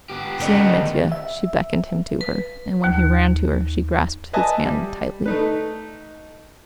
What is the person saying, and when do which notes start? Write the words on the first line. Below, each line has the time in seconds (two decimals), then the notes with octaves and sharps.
Seeing Mitya, she beckoned him to her, and when he ran to her, she grasped his hand tightly.
0.10 B3 G4
0.40 C#3 A3 A#4 D5 D#5
1.12 E5
2.21 B4
2.84 D#2
4.33 B4 D#5 E5 G#5 A5
4.65 G3
5.26 A3 D#4 B4